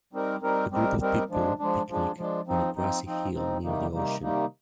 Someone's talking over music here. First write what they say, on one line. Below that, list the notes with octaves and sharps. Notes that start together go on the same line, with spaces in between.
A group of people picnic on a grassy hill near the ocean.
G3 C4 D#4 A#4
G3 C4 D#4 A#4
G3 C4 D#4 A#4
G3 C4 D#4 A#4
F3 G#3 D4
F3 G#3 D4
F3 G#3 D4
F3 G#3 D4
F3 C4 D#4
F3 C4 D#4
F3 C4 D#4
F3 C4 D#4
C3 D#3 G3 A#3 D#4
C3 D#3 G3 A#3 D#4
C3 D#3 G3 A#3 D#4